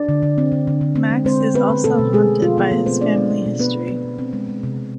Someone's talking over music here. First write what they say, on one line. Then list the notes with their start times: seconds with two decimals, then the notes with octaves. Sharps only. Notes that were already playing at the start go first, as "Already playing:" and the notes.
Max is also haunted by his family history.
Already playing: D4 D5
0.09 D3
0.23 D3
0.38 C4
0.52 D3
0.67 D3
0.81 D3
0.96 C4
1.10 G#3
1.25 G#3 C4 C5
1.40 G#3
1.54 G#3 B3 B4
1.70 D3
1.84 B2 A3 A4
1.99 B2
2.13 B2 G#3 G#4
2.29 B2
2.42 B2 F3 F4
2.57 F3 B3 F4
2.72 A3 B3 A4
2.86 B2 C4 C5
3.01 B3 D4 D5
3.17 B3
3.30 B3
3.46 B2
3.59 B3 B4
3.75 B3
3.89 B3
4.04 B2
4.18 C4
4.33 G#3
4.48 G#3
4.63 C3
4.78 C3